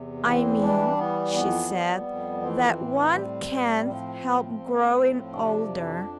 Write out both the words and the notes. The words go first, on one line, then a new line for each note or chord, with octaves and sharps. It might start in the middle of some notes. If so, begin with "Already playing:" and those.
'I mean,' she said, 'that one can't help growing older.'
Already playing: E2 C3
E3 C4
G3 D4
E3 B3
F2 B3
G3
F2
E3 C4
A2
G3
A2
F3 C4
A2
A2
F3
C3 D4
F2